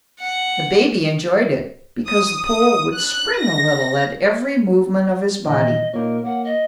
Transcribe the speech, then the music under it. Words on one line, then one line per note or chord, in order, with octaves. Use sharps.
The baby enjoyed it because the pole would spring a little at every movement of his body.
F#5
D#6
D#6
F#6
A#6
A#2 D#3 E3 D#5
A#2 A#3 D#4 A#4 C#5
A#3 F#5
D#5